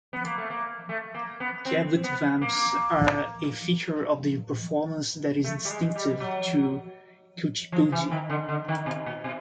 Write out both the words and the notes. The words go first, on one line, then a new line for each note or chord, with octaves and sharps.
Kavutvams are a feature of the performance that is distinctive to Kuchipudi.
B3
A#3
A3
A#3
A3
A#3
B3
C4
B3
A#3
A3
G3
G#3
G3
F#3
F3
E3
D#3
D3
D3
D#3
B2
A#2
B2